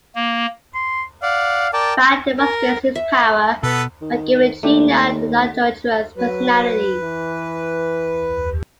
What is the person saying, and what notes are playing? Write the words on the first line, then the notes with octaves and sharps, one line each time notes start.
Valle demonstrates his power by giving Gina the adulterous personality.
A#3
C6
D5 F5 F#5
A#4 D5 G5 A5
A#4
E5
B2 B3 A4 B4
D#3
D#2 A3 D4 G4
F#3 B4
E3